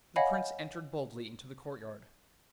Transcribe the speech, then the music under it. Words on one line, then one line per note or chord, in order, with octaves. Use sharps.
The Prince entered boldly into the courtyard.
C#5 D#5 F5 F#5 G#5 B5